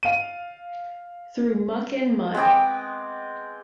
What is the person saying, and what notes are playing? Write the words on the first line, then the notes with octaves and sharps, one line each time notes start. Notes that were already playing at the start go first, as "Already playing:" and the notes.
Through muck and mud.
F5 D#7
G#3 B3 C4 D6